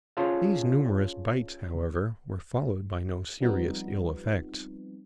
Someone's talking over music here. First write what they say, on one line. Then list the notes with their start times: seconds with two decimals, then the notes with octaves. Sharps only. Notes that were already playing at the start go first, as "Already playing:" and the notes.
These numerous bites, however, were followed by no serious ill effects.
0.17 C#4 F4 G#4 A4 C5 F5
3.40 F3 G3 B3 C4 D#4